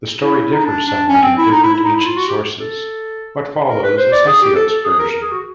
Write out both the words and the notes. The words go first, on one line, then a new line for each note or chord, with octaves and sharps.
The story differs somewhat in different ancient sources; what follows is Hesiod's version.
E4
D#4
D4
D4
C#4
C4
E4
D#4
E4
E4
D#4
E4
F4
F#4
G4
A4
A#4
B4
C5
D5
G#4
G4
A4
A4
G#4
A#4
A#4
G#4
F#4